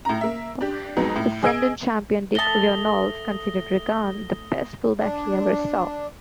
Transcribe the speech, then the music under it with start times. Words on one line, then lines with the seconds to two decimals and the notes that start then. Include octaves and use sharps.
Essendon champion Dick Reynolds considered Regan the best full-back he ever saw.
0.05 A2 A#5
0.21 A#3 E5
0.61 D4 G4
0.97 F2 F#3 G#3 B3 D#4
1.16 A2
1.43 G#4 D#5 E6 G#6 D7
2.35 A3 A5 D#6 A#6 G7
4.98 D4